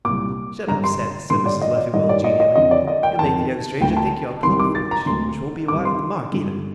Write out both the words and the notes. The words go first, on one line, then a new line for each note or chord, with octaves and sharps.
"Shut up, Seth," said Mrs. Leffingwell, genially, "you'll make the young stranger think you're plum' foolish, which won't be wide of the mark either."
C2 A#2 D6
G2 D3 A#5
C6
G2 D3 C6
D5
D#5
D5
G2 D#3 D#5
D5
D#5
D#5
F2 D3 D#5
D5
D#5
G5
F2 D#3 A5
D2 D3 G5
A5
C2 C3 D#3 C6
D6
A6
A#5
D2 D3 C6
C2 C3 D#3 D6
C6
G2 D3